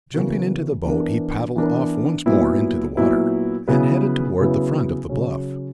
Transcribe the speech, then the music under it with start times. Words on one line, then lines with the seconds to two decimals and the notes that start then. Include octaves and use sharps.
Jumping into the boat he paddled off once more into the water, and headed toward the front of the bluff.
0.14 C#3 E3 B3 F#4 A#4
0.85 E3 B3 D4 A#4
1.56 E3 B3 D4 A#4
2.26 A#2 F#3 B3 E4
2.97 A#2 F#3 B3 E4
3.68 C#3 F#3 B3 E4 B4
4.40 C#3 F#3 B3 E4 B4
5.09 C#3 F#3 C#4